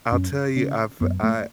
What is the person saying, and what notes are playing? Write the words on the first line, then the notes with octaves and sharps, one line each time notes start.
I'll tell you, I've I
F#2 C#4
C#3 C#4
F#2 B3
A3